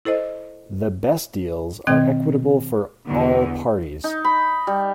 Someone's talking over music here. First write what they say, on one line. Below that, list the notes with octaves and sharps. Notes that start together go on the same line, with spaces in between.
The best deals are equitable for all parties.
E4 A4 C5 D#5
B2 D#3 C4 D#5 G5 G#6
E2 D3
D#4
B5
G3